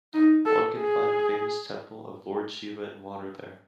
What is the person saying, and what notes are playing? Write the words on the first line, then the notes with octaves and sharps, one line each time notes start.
One can find a famous temple of Lord Shiva in Water there.
D#4
A4
G#4